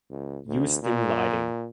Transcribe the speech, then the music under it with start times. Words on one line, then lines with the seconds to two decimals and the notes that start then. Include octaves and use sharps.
Use dim lighting.
0.10 C#2
0.48 D2
0.82 A#2